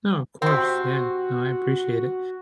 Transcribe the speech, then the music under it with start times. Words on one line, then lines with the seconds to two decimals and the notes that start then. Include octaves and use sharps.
No, of course, yeah. No, I appreciate it.
0.42 C3 C4 F#4